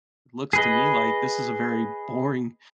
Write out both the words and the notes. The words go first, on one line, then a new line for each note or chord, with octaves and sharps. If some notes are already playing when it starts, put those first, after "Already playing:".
looks to me, like, this is a very boring
G#4 B4 D#5